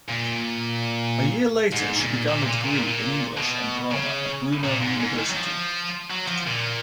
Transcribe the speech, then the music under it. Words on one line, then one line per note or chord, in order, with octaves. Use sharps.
A year later she began a degree in English and Drama at Brunel University.
A#2
G#2
A#2
A#2
A#2
A#2
A#2
B2
C#3
A#2
G#2
G#2
D#3
F#3
F3
F#3
F3
A#2